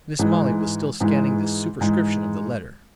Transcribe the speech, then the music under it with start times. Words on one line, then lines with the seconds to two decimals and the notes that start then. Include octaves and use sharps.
Mis' Molly was still scanning the superscription of the letter.
0.19 G#2 E3 G#3
1.00 G#2 E3 G#3
1.81 G#2 E3 G#3